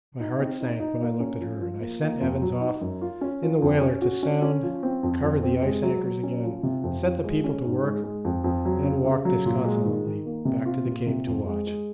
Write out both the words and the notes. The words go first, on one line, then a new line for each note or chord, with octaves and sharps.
My heart sank when I looked at her and I sent Evans off in the whaler to sound, recovered the ice anchors again, set the people to work, and walked disconsolately back to the Cape to watch.
D#4
C4
D#4
D#4
A#3
C#4
F3
F3
A#3
A#3
F2
F#3
D#4
F#2
F4
C#4
F3
F2
C#4
F#4
C#4
C#4
F3
C4
F2
F2
C4
G#3
F#3
F#3
C#4
F3
C3
F2
F3
G#3
C#4
G#2
G#3
G#3
F2
F2
F#3
C#3
C#3
F#3
A#2
G#3
D#3
D#3
A#3
C3
F4
A#2
C3
F2
G#3
G#3